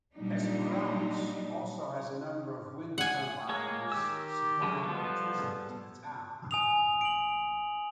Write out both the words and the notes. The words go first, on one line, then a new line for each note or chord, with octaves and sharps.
Esperance also has a number of wind turbines supplying electricity to the town.
A#2 F#3 G3 D4 D#4
F#5 G#5
G#3 A#3 G#4 C#5
D#3 G4 E6
D3 F#3 G#3
F3 G3 B3 A4
G#5 D#6 F7
D7 F#7